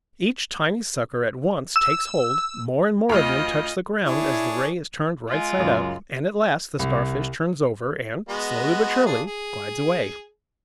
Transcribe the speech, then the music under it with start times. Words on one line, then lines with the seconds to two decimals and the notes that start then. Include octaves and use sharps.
Each tiny sucker at once takes hold, more and more of them touch the ground as the ray is turned right side up, and at last the Starfish turns over, and, slowly but surely, glides away.
1.76 E6
3.09 D2 F4 D#5 F6
4.06 D4 E4 G#4 C#5
5.28 G#3 F4
5.58 C#2 F#2
6.79 C2
8.29 G#3 B3 F#4
9.06 D4 F4 G#4
9.26 G#4